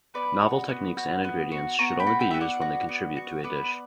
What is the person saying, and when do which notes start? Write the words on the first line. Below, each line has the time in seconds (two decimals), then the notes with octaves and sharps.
Novel techniques and ingredients should only be used when they contribute to a dish.
0.14 B3 B4 D5
0.42 F#4
0.69 B3
0.97 F#4
1.24 B3
1.52 F#4
1.79 B3 A#5 C#6
1.99 G5 B5
2.07 F#4
2.20 E5 G5
2.31 B3 E5
2.41 D5 F#5
2.61 F#4
2.89 B3
3.16 F#4
3.44 B3 B4 D5